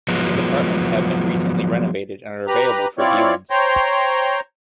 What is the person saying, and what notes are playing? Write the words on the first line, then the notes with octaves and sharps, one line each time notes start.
These apartments have been recently renovated and are available for viewings.
F3 F#3 G#3 B3
G4 B4 A#5
C4 E4 F4 C#5 D5
C5 C#5 G5 A#5 C6